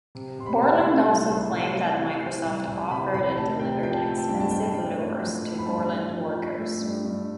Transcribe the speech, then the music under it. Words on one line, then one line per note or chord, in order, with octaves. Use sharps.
Borland also claimed that Microsoft offered and delivered expensive lures to Borland workers.
C3
C3 C6
B5
C3 A5
B5
C6
A3
C2
C2
C3
E3
E3
E3
C2
C2
C3 B5
C3 B5
A3 A5
C3 G5
F3 G5
A5
A3 G5
A5
G2 G5
A5
G2 G5
A5
G2 G5
A3
F3
A3
B5
G2 A5
G2
F3
F3
A3
G2
G2